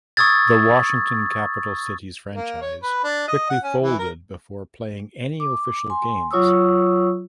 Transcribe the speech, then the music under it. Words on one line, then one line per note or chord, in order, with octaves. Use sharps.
The Washington Capital Citys franchise quickly folded before playing any official games.
C#6 D#6 E6 G#6 A6
A#3
C#5
B4
D4
D#5
F#5
C#4
E3
A#4
D6
G#5 C6
F#3 F4 C#5 C#6 D#6 E6